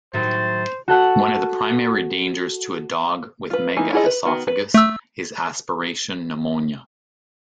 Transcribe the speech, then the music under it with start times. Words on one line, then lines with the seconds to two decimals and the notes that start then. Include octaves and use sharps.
One of the primary dangers to a dog with megaesophagus is aspiration pneumonia.
0.13 A2 D#3 F#3 C5 A6
0.88 F#4 A4 F#5
3.50 F4 B4
3.77 E3 G#3 A#3 D#4
3.93 E4 F4 G#4 A4 D#5
4.06 B4
4.25 D#3 B3 F#4
4.47 B4
4.74 A3 E6